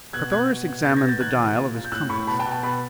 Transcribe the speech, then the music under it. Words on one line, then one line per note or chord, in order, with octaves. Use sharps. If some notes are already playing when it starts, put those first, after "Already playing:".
Carthoris examined the dial of his compass.
B2 F#6 G#6
B2 F#6 G#6
B2
B2
B2 G6 A6
G#6 A#6
B2
G6 A6
D#3 F#6 G#6
C3
A#2
A#2
G6
A2 E6 F#6
A2 B5 C#6
B2 A5 B5
G5 A5
B2
G5 A5
B2 A5 B5